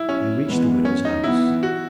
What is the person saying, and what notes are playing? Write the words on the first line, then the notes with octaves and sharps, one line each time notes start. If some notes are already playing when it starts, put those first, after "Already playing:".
We reached the widow's house.
Already playing: E4
C#4
E3 G#3 B3
C#4
D#4
E3 B3 E4
F#4